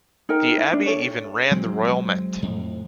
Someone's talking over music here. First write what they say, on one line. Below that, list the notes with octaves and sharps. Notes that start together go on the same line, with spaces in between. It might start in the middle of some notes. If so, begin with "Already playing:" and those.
The Abbey even ran the Royal Mint.
D#4 A#4 G5
E4
D4
A4 C#5
F#3 G#3 C4
F2 A2